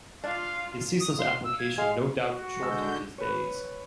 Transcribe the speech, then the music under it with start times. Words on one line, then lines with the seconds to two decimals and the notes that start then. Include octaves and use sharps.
His ceaseless application no doubt shortened his days.
0.24 D4 F4 F5
1.00 D#6
1.19 F5 C6
1.44 E6
1.58 G#6
1.78 G#3 F5
2.25 F#4
2.61 D3 G#3 E6 G6
3.18 B4 C#5